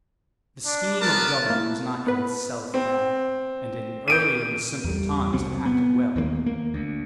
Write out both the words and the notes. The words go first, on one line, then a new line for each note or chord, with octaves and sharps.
The scheme of government was not in itself bad, and in earlier and simpler times had acted well.
D4
B3 A#4 A5
A#3 E4
B3 B4
C4
G6 D7 D#7
E2 G3
C2 C3 F#3 C4
B3
D#2 D#3 G#3 A#3
A#3
D2